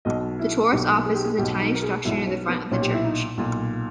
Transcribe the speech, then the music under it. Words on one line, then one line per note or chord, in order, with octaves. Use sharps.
The tourist office is a tiny structure near the front of the church.
B1 B2 D#5
E4
B1 B2 G4
G#4
G4
G#4
B1 B2 G4
D#4
A#4
G#4
B1 B2 E4
C#4
B3
B1 A#2 C#4
G4
E4
D#4
B1 A#2